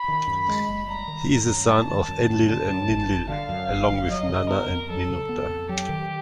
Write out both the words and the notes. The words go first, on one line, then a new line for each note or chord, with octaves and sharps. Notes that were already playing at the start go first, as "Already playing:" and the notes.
He is a son of Enlil and Ninlil, along with Nanna and Ninurta.
Already playing: B5
D#3
F#2
G#3
F#1
G3 A#5
D#3
F#2
F#2
G3 A5
D#3
F#2
F#2
D3 A5
F#2
G1
G1
D3 F5
F#2
G1
G1
F#3 D#5
C#3
B3 A#4
F2
F#3 A4
C#3
B3
F2
F#3 G4
D#3